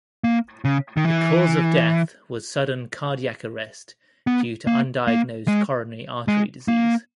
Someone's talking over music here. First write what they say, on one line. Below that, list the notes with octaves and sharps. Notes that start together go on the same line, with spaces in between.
The cause of death was sudden cardiac arrest due to undiagnosed coronary artery disease.
A#3
C#3
D#3
E3
B3
A#3
A#3
G#3
G#3
A#3